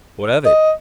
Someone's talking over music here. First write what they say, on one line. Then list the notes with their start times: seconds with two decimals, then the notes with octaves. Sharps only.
"What of it?"
0.45 D#5